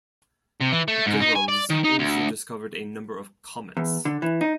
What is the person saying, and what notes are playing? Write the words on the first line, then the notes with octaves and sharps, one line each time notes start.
Gehrels also discovered a number of comets.
C3
E3
A3
G#2
D#4
G#5
D5
D#3
D#4
D2
E2
D3
E3
D#4